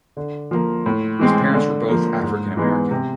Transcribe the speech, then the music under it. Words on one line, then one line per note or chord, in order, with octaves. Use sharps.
His parents were both African-American.
D3
F3 A#3
A2
E3 G#3 C4
D3
F3 A#3
G#2
E3 G#3 B3 D#4
C3